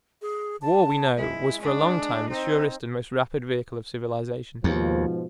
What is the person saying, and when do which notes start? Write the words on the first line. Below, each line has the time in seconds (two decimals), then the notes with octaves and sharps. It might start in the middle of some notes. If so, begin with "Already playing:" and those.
War, we know, was for a long time the surest and most rapid vehicle of civilization.
0.22 G#4
0.62 A5
1.17 G#3 E4
1.61 D4
2.29 C4 D#4
4.64 D#2 G#2 B2 F3